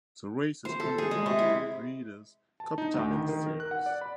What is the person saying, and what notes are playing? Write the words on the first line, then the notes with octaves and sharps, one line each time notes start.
The race is currently part of the Breeders' Cup Challenge series.
C5
A4
G#4
G#3
C3
E4
A5
D#4
D2
D#3
D#3
A#4
F#6
F#5
D5
B5